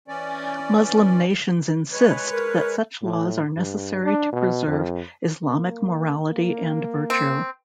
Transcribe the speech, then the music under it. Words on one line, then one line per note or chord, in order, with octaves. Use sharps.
Muslim nations insist that such laws are necessary to preserve Islamic morality and virtue.
E3 C#4 D5
G#3 B4 C#5
A#4
A2
G2
D4
B2
F2
A#3
A#3
C4